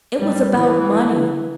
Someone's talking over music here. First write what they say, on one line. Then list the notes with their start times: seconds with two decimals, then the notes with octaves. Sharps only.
'It was about money.
0.19 G3
0.56 E3